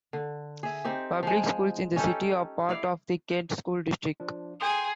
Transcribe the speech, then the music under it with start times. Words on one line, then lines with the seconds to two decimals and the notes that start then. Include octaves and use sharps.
Public schools in the city are part of the Kent School District.
0.13 D3
0.63 G#4 E5
0.84 C4 D#4 G4
1.23 F3 G#3
1.96 C#4 D#4 G4 A4
2.69 E4 D5 F5
4.20 F3 D4
4.61 G#4 G5 C6 D#6